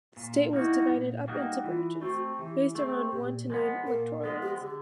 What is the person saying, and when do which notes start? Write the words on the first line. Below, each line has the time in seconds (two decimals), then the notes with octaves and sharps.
The state was divided up into branches, based around one to nine electorates.
0.17 A#2
0.53 G3 A#3 D#4 E4 F#4
0.90 A#2
1.28 G3 A#3 D#4 F#4
1.64 E3 F4
2.01 A3 C4 F#4
2.39 E3 G4
2.75 A3 C4 G#4
3.12 A#2 G4
3.49 F3 G#3 B3 A#4
3.86 A#2 A#4
4.05 A#4
4.23 F3 G#3 B3 A4
4.42 G4
4.60 D3 G#4